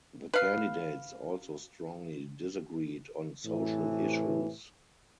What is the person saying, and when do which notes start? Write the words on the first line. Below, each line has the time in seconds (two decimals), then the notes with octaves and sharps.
The candidates also strongly disagreed on social issues.
0.34 B4 F5
3.45 A2 C3 E3